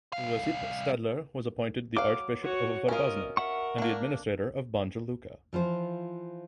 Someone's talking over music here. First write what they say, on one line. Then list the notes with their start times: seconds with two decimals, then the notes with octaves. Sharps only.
Josip Stadler was appointed the Archbishop of Vrhbosna and Administrator of Banja Luka.
0.13 C2 F5
1.97 F#3 F5 D6
2.43 F#4 C#5
2.89 C#4 F4 A#4 D#5
3.37 A#4 E5 F#5 C#6
3.78 A#3 D4
5.53 E3 F3 F4 C5